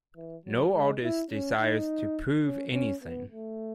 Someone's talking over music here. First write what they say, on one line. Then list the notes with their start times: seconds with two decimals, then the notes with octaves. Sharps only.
No artist desires to prove anything.
0.17 E3
0.46 F#3
0.74 G#3
1.03 E4
1.31 C#4
1.61 D#4
2.46 C#4
2.74 C#4
3.03 B3
3.32 A3